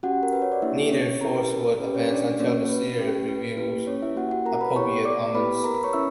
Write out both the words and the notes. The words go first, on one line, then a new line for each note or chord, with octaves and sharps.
Neither force would advance until the seer revealed appropriate omens.
C#4 F#4 G4 F#5
A#4
B4
C#5
D5
A#3 D4 E4 G4 E5
C#4 C#5
C#4 E4 G4 A#4 A#5
B4
A#4
C#4 G4 B4
C#4 C#5
D4 D5
A#3 C#4 F#4 C#5
B4
C#4 G4
B4
A#3 E4 G4 B4
C#4 C#5
E4 E5
A#3 E4 F#4 G4 F#5
F#4 F#5
A#4 A#5
B4 B5
B3 E4 G4 C#5 C#6
D5 D6
B3 E4 G4 B4 B5
A#4 A#5
B4 B5
C#5 C#6
C#4 E4 E5 E6